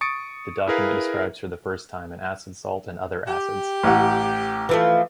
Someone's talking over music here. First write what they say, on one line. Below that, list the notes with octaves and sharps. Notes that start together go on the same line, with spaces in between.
The document describes, for the first time, an acid salt and other acids.
C#6 D#6 A6 C#7 D7
E4 G#4 A#4 B4 F5
G4
A1 F#5
E3 F3 A3